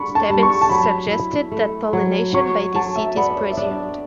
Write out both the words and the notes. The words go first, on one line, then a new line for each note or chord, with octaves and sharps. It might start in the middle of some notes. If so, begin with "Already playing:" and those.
Stebbins suggested that pollination by deceit is presumed.
Already playing: G3 D4 B5 C#6
A5
G3
C#6
A5
F#3 B5
E4
A3
F#3
F#3 C#6
F#3 A5
E5
B3 D5
D5
C#5
E5
D4 D5